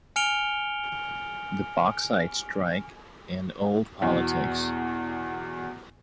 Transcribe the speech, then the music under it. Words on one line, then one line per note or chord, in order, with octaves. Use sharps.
"The Bauxite Strike and Old Politics".
G#5 F6 C#7 D7 F7 G7
E2 B2